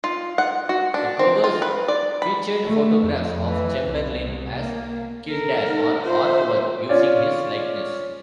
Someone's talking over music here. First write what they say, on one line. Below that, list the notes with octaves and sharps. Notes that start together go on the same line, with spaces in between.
The covers featured photographs of Chamberlain as Kildare, or artwork using his likeness.
F4
F#5
F#4
D4
C4
F4
B4
D5
B5
A3
F2
E3
C2
A#3
A4 A#4
D#4
F4 C5 E5
C#4 F4 C#5 D5